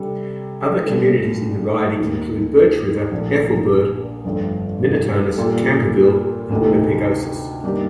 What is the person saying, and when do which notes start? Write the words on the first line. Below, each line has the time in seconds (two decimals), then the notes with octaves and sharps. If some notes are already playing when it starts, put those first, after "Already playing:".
Other communities in the riding include Birch River, Ethelbert, Minitonas, Camperville and Winnipegosis.
Already playing: C3 G3 D4 A4
0.85 C2 A#2 A3 D4 A4
1.98 D#2 D#3 A#3
3.11 A#1 A#2 A3 D4
4.24 G1 F2 D3 A3
5.37 A#2 G3 A#3 F4 A4
6.50 D2 C3 D#3 A3
7.64 G2 D#3 A#3 D4 G4